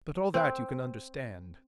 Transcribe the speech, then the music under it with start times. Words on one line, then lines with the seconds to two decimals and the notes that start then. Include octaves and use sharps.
But all that you can understand.
0.34 C4